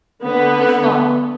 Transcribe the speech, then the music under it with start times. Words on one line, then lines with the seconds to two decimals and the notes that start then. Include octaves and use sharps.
We fall.
0.23 D3 B3